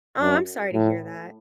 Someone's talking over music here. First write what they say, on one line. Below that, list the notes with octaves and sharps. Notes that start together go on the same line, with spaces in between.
Oh, I'm sorry to hear that.
F#2
A2